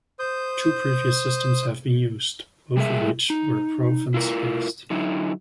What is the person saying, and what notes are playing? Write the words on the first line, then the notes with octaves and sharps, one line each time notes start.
Two previous systems have been used, both of which were province-based.
C5 D#6 G6
G3 G#3 A#3 G#4 E5
D#4
E4 F4 A#4
D3 F#3 D#4 E4